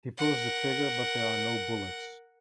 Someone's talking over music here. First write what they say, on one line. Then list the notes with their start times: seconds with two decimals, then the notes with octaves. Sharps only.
He pulls the trigger but there are no bullets.
0.18 A#4 F#5